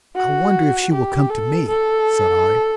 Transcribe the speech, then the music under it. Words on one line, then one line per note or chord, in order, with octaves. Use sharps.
"I wonder if she will come to me?" said I.
F#4
G4
A4
A4